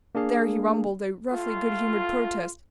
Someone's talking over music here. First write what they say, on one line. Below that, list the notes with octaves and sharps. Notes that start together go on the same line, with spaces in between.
There he rumbled a roughly good-humoured protest.
A#3 D4 G#4 F5
A2 F4